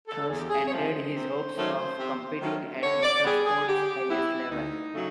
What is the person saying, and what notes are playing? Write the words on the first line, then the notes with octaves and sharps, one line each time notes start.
Thus ended his hopes of competing at motor sport's highest level.
A4
E2 G#4
G4
G#4
C#5
C3 F3 A3 C5
C3
D#3 F#3 A3 C#4
C3
D#3 F#3 A3 C#4
D3 C#5
D5
G3 B3 G#4
G#4
D3 G4
G3 B3 E4
D2 D#4
C#3 F#3 A3